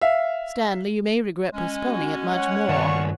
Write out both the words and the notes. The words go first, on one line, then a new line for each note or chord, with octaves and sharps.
'Stanley, you may regret postponing it, much more.'
E5 F5
G#3 C#4 G#5
F#4
C#5 F#5
G2 D#3 D5 F5 C#6